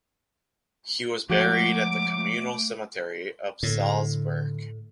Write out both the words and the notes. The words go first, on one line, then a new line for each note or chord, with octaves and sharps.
He was buried at the communal cemetery of Salzburg.
F3 G#3 A3 F#4 F#5 D6
A2 D3